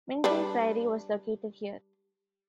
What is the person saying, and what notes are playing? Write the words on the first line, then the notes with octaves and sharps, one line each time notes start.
Minting Priory was located here.
G3 D4 B4